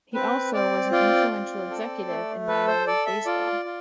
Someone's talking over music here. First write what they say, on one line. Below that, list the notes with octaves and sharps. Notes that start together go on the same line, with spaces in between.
He also was an influential executive in minor league baseball.
C4 B4
C4 D5
F4 D5
C4
A4
A3
A4 B4
C5
A4 D5
E5
F4 D5
F4